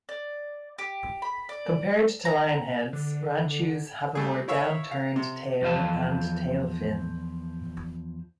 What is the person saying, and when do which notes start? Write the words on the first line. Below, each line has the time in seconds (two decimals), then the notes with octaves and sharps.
Compared to lionheads, ranchus have a more downturned tail and tail fin.
0.09 D5
0.79 G4
1.22 B5
1.49 D5
2.25 A#5
2.93 D3
4.15 G3 A3 G#4
4.48 E4 C#5 E5 F5
4.91 F5
5.16 C3
5.62 E2 F3 B3 F5 A5